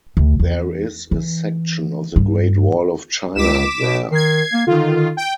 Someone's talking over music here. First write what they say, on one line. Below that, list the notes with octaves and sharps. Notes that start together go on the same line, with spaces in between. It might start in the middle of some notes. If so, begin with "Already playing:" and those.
There is a section of the Great Wall of China there.
D2
E2
E3
G2
C#2 D6 B6 E7
B2
D#3 G#6 C7
A#3
D3 D#3 F4
G5